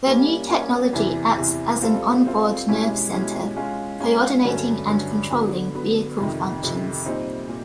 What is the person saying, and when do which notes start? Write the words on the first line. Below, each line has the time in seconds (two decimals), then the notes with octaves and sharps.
The new technology acts as an onboard nerve center, coordinating and controlling vehicle functions.
0.06 G3 A#3 C#4
0.50 G3 A#3 C#4
0.93 E2 C3 E3
1.37 E2 C3 E3
1.82 G3 C4 F4 A4
2.24 G3 C4 F4 A4
2.68 B2 G#3 C#4 E4 G4
3.12 B2 G#3 C#4 E4 G4
3.56 G#3 C#4 F4
4.00 G#3 C#4 F4
4.44 G2 D3 F#3 A3 C#4
4.87 G2 D3 F#3 A3 C#4
5.31 D3 F#3 B3
5.75 D3 F#3 B3
6.18 F2 C3 D#3
6.61 F2 C3 D#3
7.06 A#2 G3 C4 D#4
7.49 A#2